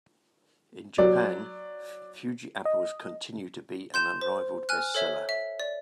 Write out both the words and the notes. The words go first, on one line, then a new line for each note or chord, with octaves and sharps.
In Japan, Fuji apples continue to be an unrivaled best-seller.
F#3 D5
D#5
C6 G6 E7
C5
G#5 F6 F#6
A4 C#5 E5
E5
D5